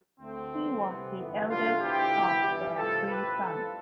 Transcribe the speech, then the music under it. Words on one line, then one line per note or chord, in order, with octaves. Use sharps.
He was the eldest of their three sons.
D2 D3 A3 C4
E2 D3 G3 B3
C2 C3 E3 G3 B3
G1 F2 E3 B3
C2 B2 A3 D4 F4
D2 D3 F3 B3 E4 G4
C2 B2 B3
G1 G2 E3 G3
C2 C3 E3 A3 F4 A4
A1 A2 F3 A3 G4 B4
G2 E3 G3 B3 F4 A4